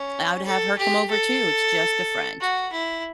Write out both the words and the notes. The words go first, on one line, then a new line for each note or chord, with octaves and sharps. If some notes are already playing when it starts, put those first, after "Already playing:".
I'd have her come over, too, it's just a friend."
Already playing: C#4
A4
G4
A4
F#4
E4